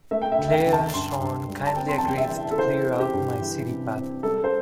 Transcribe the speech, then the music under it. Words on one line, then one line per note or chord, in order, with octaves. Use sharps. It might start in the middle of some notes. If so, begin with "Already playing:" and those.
Claire and Sean kindly agreed to clear out my city pad.
A3 E5
G5
E5
D2
E5
G5
D2
A5
G2 C6
G2
G3
A5
C4 G5
C6
A5
E2 G5
E5
E3
A4
E3 C5
C4
G4
G2
E3
C3
C4
G3 A4
C5